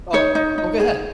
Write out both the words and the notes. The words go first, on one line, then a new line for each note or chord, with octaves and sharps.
oh oh, go ahead.
D#4 C#5
D#4
D#4
G#4